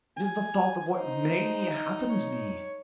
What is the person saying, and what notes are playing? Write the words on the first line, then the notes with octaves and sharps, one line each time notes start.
"It is the thought of what MAY happen to me."
G#5
D#4 C5
C#5